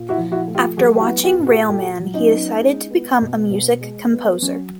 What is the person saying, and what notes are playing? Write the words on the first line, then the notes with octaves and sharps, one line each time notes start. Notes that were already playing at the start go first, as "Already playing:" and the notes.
After watching "Railman", he decided to become a music composer.
Already playing: A#2
E4 F#4
F3
E4 F#4
A3
F4 G4
F#3 F#4 G#4
G4
E4 F#4
B3
F4 G4
A#2
F#4 G#4
A#2 G4 A4
F#3
C#4 D#4
B3
G#3
B3
B2
B2
G#3
B3
F#3 C#4